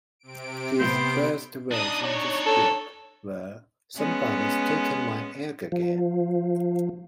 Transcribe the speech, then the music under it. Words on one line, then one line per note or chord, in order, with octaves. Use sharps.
His first words in the strip were 'Somebody's taken my egg again!
C3 D7
B3 C5
D4 D#4 D#6
C#5
A4
G#3 B3 C#4
F3